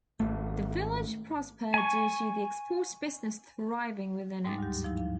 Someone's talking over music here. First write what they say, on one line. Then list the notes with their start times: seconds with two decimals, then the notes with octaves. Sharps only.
The village prospered due to the export business thriving within it.
0.20 G#1 A3
1.74 G#5 C#6
4.44 G#2 G3 G#3 D#4 D6 A6
4.58 D2 G2 F#3 G4
4.84 F3 D#4 E4
4.97 F5